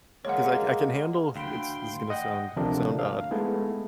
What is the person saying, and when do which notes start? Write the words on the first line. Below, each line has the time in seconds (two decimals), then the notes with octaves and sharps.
'cause I c I can handle, it's this is gonna sound sound odd.
0.25 G#3 A#3 C#5 F#5
1.36 D2 F5 G5 B5 C6 D7
2.10 D#5 F#5 G5
2.56 D2 C3 F3 A3 D4 A#4
2.99 F5
3.31 G#3 A3 B3 D#4 E4